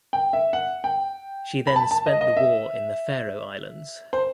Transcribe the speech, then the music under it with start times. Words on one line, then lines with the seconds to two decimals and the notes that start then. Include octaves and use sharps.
She then spent the War in the Faroe Islands.
0.13 G5
0.33 E5
0.53 F#5
0.84 G5
1.67 B5
1.76 A5
1.91 A5
2.06 D#5
2.21 D#5
2.37 E5
4.13 C5